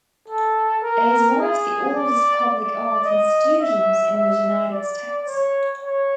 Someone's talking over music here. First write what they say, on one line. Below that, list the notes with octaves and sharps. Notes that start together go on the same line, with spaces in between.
It is one of the oldest public arts institutions in the United States.
A4
A#4
G#4
D5
D5
D#5
E5
E5
D5
C#5
C#5